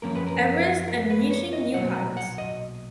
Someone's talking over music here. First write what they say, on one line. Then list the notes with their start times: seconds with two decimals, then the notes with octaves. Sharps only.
Everest and reaching New Heights.
0.02 F#2 F3 A#3 C#4 A#4
0.15 B4
0.27 A#4
0.88 A#4
1.10 B4
1.31 C#5
1.53 D#5
1.74 B1 A#2 F#3 F#5
1.94 A#5
2.17 F#5
2.38 D#5